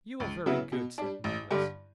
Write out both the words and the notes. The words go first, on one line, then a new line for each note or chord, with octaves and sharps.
'You are very good,' said Nicholas.
C#2
C#3 F#3 B3 E4
B2
G3 D4
A1
G2 D3 G3